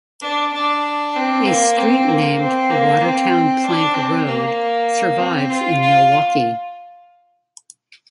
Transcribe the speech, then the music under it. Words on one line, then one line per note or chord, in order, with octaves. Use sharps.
A street named "Watertown Plank Road" survives in Milwaukee.
D4
D4
C4
A#3
C4
A#3
C4
A#3
C4
D4
C4
A#3
C4
F4
F4